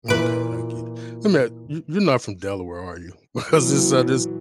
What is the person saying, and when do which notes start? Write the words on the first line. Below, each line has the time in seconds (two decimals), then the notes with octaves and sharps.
Okay, I get it. I mean, you you're not from Delaware, are you? Because this this
0.08 A#2 E3 B4 D7
3.48 A#2 E3 F#3